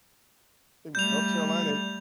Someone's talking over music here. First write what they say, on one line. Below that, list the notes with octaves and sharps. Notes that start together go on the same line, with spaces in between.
think it was North Carolina and
G3 A3 G6 F7